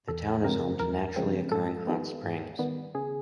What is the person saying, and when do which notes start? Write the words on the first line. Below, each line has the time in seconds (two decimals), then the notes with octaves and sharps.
The town is home to naturally occurring hot springs.
0.08 E2 A4
0.44 C#3 F3 G#3 C4 A#4
0.79 E2 A#4
1.16 C#3 F3 G#3 C4
1.52 G#2 A4
1.87 D#3 G3 B3
2.23 G#2
2.59 D#3 G3 B3
2.94 C#3 G#4